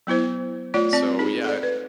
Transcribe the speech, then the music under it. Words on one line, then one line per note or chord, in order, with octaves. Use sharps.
so yeah
F#3 B3 E4 C5
A3 F4 C#5 D5
C4 D5 A5
D#4 G#4
A4 D5
B4